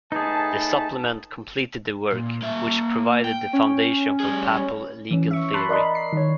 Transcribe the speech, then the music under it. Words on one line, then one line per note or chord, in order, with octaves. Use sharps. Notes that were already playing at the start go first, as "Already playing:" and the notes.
The supplement completed the work, which provided the foundation for papal legal theory.
A2 D#4 G#4 B4 A5
A#2
A#3 E5
G5
C#4
G3 G#4
E3 C#4
E5 C#6
A5 B5 C6 F#6
A#4 D5 D#5 B5
C7
D#3 C#5